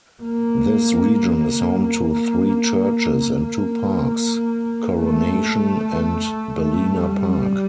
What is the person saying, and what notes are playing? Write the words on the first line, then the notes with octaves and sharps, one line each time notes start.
This region is home to three churches, and two parks; Coronation and Balena Park.
A#3
A#3
A#3
A3
A3
G3